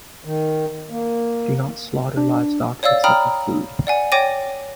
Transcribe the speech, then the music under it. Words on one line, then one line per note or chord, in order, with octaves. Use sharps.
Do not slaughter livestock except for food.
D#3
A#3
D4
C#5 D5 F5 E6 A6
G5 A#5 B5 D#6 F6
D5 F#5 G#5
C#5 G5 D6 A6 A#6 D#7